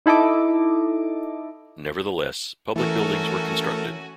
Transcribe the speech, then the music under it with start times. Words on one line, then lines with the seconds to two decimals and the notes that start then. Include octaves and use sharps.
Nevertheless, public buildings were constructed.
0.06 D#4 E4 A4 D#5 D6
2.76 E3 A3 C#4 F#4 A4 A#4 G#5